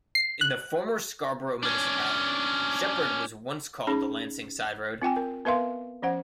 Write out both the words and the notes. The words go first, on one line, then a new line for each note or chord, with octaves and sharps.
In the former Scarborough municipality, Sheppard was once called the Lansing Sideroad.
C7
F#6
C#4 D4
C#4 D#4 G#4 B5
C4 F4 G5 G#5
A#4
B3 A#4 B4 E5 F5 C6
F3 C#4 C5 F#5